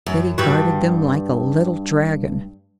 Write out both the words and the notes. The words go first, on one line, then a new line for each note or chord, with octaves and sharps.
Betty guarded them like a little dragon.
F#2
G2 G3 F#4